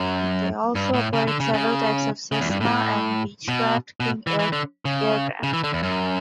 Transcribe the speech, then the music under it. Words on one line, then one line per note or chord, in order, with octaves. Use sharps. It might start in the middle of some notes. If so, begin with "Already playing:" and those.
They also operate several types of Cessna and Beechcraft King Air aircraft.
Already playing: F#2
G2
A2
C#3
D3
C#3
C#3
C#3
E2
G2
A2
B2
B2
E3
E3
D3
C#3
C#3
E3
D3
E2
F#2